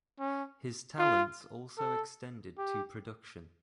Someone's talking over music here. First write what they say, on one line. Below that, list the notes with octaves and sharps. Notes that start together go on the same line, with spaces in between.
His talents also extended to production.
C#4
F4
A4
G4